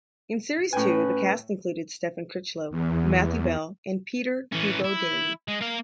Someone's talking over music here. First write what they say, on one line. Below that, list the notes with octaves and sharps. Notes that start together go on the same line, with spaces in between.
In series two the cast included Stephen Critchlow, Matthew Bell and Peter Hugo-Daly.
A2 C#4 B4 G5 G#5
E2
E3 C#4
E4
G#3
A#3 F5